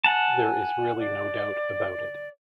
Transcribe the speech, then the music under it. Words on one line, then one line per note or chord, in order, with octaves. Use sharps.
There is really no doubt about it.
F#5 G#5 A5
D5